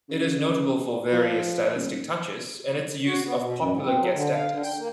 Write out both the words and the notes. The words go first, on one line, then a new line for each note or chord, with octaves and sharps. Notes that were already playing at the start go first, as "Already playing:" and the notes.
It is notable for various stylistic touches, and its use of popular guest actors.
C#3
F3
D#1
F#4
B3
B2
F#2
G#2
C4
F#3
D3
F5
D3
G5
A#3